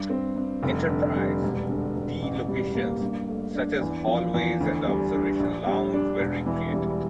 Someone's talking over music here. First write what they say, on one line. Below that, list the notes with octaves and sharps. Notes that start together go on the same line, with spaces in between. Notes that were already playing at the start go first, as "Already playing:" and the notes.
"Enterprise"-D locations such as hallways and the observation lounge were re-created.
Already playing: G2
C4
G2
F1
D3
G3
E1
D3
E1
A1
G3
A#3
G2
A3
D4
E2
F3
E2
D2
G3
D4
A#1
G3
D4
E1
E3
G3